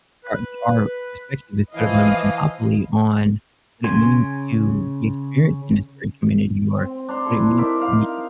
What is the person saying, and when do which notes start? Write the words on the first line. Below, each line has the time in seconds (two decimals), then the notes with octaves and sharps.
our our perspective is sort of a monopoly on what it means to be experienced in a certain community or what it means to be
0.24 B4
1.75 E3 F3 E4 D#5 F5 D#6
3.84 C#3 G#5 C6
6.77 C4
7.08 D4 A#5 C6
7.25 E4 A4
7.58 D#4 A#4 D5 E5
7.78 D#4 F5